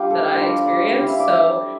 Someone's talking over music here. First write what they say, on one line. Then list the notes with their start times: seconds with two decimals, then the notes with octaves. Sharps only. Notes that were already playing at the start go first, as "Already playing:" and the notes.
that I experienced. So,
Already playing: G3 D4 F4 G4
0.10 A4
0.32 G3 D4 F4 C5
0.66 D5
0.99 G3 C4 E4 F5
1.10 E5
1.20 D5
1.30 E5